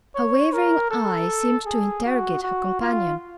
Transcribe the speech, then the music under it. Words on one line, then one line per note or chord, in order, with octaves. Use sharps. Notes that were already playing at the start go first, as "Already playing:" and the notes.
Her wavering eye seemed to interrogate her companion.
C#5
A#4
A4
G#4
F#4
F#4
F4